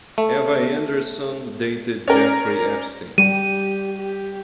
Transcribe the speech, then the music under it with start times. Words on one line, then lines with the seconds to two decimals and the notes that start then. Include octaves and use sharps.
Eva Andersson dated Jeffrey Epstein.
0.18 A3
2.08 C#4 A#4 D5
3.18 G3 G4 D#7
3.97 G4